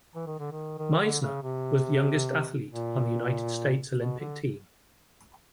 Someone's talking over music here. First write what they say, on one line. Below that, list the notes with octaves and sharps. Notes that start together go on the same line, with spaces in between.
Meissner was the youngest athlete on the United States Olympic team.
E3
D#3
D3
D#3
D#3
D3
C#3
C3
A#2
B2
D3